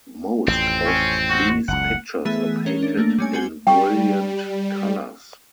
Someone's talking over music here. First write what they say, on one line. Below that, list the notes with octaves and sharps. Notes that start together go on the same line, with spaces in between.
Most of these pictures are painted in brilliant colours.
A1 F2 C4
C#4
F#4
F#1 C#2 F#5
E3 A3 B3 G#4 E5
C#4 A#4 C#5 G7
D4
A3 A#3 D4
G3 C#4 G#5
C4 C#4 F#4 G#5 G#6 G7
G3 G5 C#6